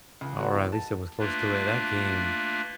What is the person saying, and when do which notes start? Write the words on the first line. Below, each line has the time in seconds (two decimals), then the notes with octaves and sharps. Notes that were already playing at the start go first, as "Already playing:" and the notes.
or at least it was close to it. That game
0.21 C#2
0.40 F#4
0.54 E3
0.72 A5
1.19 A3 A#3 D4 F4 B4